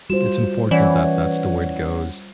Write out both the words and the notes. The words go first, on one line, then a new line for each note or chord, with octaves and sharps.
It's unfortunate that that's the way it goes.
G3 F4 F#4 C5 E7
E3 C#4 C#5 D5 F#5